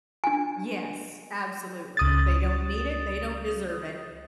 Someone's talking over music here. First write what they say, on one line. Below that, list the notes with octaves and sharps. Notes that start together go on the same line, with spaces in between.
Yes, absolutely. They don't need it. They don't deserve it.
D4 G#5
C#2 D#6 A6